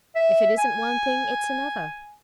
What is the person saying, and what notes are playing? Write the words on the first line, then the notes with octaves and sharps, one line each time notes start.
If it isn't one thing, it's another.
E5
G#5